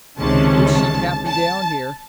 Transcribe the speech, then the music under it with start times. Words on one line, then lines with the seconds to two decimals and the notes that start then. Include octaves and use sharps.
Wish she'd happen down here.
0.18 C#2 C3 D#3 G#3 C#4 A5
0.73 A5
1.28 A5